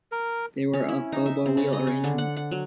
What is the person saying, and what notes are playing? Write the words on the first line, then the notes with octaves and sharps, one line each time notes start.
They were of Bo-Bo wheel arrangement.
A#4
C#4
E4
D#4
E5
C4
C#3
D#5
C#4
D3
F#5
F#5
F#3